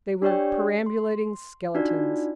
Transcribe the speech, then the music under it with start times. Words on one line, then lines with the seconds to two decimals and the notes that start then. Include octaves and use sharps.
They were perambulating skeletons.
0.22 D4 G4 C#5 D5 G5
0.86 C6
1.75 D4 D#4 F4 F#4 D5